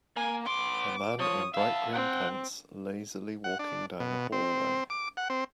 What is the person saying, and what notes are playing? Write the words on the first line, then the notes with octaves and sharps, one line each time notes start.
A man in bright green pants lazily walking down a hallway.
A#3 G#5
B3 C6 D6
F3 C#5 D#6
B3 E5 F5 A5
C4 F#5 G5
F#5
D4
B2
C4
D6
F#5
C4